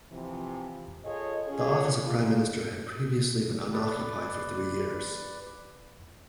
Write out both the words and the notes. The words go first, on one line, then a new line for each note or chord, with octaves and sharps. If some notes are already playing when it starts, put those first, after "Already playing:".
The office of Prime Minister had previously been unoccupied for three years.
C3 E3 F3
F4 G#4 A4 C#5 D#5
C#4 F4 G#4
A#3 E4 F4
B4 D5